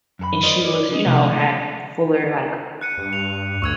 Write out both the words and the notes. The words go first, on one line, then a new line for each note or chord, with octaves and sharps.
and she was, you know, had fuller like
F#2 A4 B5
F#4 A#4 C5 D5 D#5
A#4 C#5 D5
F3 D4 G#4 D#5
C3 F3 G#3 A3 F4 D5
F#6 C#7 D#7
G2
F7
D2 C#6 E6 G#6